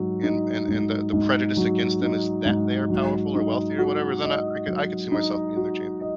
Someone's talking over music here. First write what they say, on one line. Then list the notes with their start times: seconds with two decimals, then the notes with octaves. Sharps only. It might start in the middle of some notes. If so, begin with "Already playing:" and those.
and, and, and the, the prejudice against them is that they are powerful or wealthy or whatever, then I, I could, I could see myself being their champion.
Already playing: G#2 F#3
0.23 D#4
0.68 G#2
1.13 G#2
1.57 F#3
2.01 D#4
2.45 G#2
2.90 F#3
3.35 D#4
3.78 F#4
4.24 D#5
4.67 F#3
5.12 D#4
5.56 F#4
6.01 D#5